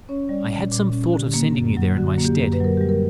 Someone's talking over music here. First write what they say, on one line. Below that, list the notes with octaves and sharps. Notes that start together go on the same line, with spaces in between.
I had some thought of sending you there in my stead.
C#4 C#5
G3 D5
A#2
A#2
C#4
D3 G4
A#3
F#2
F#3
D3 F#4
A#3
G4
F#2
B4
F#3 A#4
G3 G4
A#4